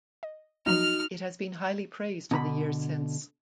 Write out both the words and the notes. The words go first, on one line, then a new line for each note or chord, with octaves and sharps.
It has been highly praised in the years since.
D#5
F3 F#3 A#3 D#4 F#4 F6 F7
B2 D3 A#5 B5